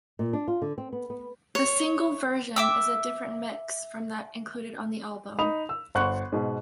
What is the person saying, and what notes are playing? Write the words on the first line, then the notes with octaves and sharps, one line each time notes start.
The single version is a different mix from that included on the album.
A#2
D4
F4
D3
C4
B3
B3
C#5
E5 D6 E6
D#4 B5 D#6 F7
E6
G1 C5 F#5 C#6 F#6
G#2 B2